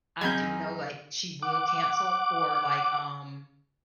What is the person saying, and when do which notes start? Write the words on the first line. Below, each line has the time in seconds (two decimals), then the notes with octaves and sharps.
I do know, like she will cancel or like, um,
0.21 F#2 C4 G#4 D#5 B5 G6 G#6
1.42 F#5 D6